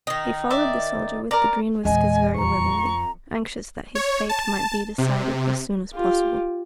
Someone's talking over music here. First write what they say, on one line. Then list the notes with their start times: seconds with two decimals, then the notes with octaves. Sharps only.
He followed the Soldier with the Green Whiskers very willingly, anxious that his fate might be decided as soon as possible.
0.07 D#3 D#4
0.50 D5 E5
1.31 A#4 D5 A#5
1.85 E2 A#2 G#3 D#5 G#5
2.38 F2 A#5 C#6
3.95 C#5
4.29 A5
4.98 C3
5.94 F4 G4